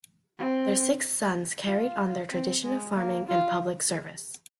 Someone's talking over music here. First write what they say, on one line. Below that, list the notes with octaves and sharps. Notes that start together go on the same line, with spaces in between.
Their six sons carried on their tradition of farming and public service.
C4
F4
C4
G#3
A#3
F4